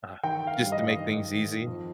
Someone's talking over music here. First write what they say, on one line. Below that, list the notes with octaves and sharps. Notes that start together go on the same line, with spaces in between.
Uh-huh, just to make things easy.
D#3 G5
F5
G2
D#5
D#3
D#3
F2